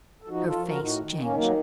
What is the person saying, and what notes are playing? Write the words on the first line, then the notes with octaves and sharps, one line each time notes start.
Her face changed.
A4
F3 D#4 F#4
F4 A4
F3
F#4 A#4
A2
D#4 F#4
D#3
A#3 C#4
D#3
F#3 A#3